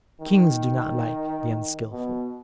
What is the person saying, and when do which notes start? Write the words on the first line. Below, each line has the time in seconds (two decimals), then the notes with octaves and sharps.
Kings do not like the unskilful.
0.20 D#3
1.91 B2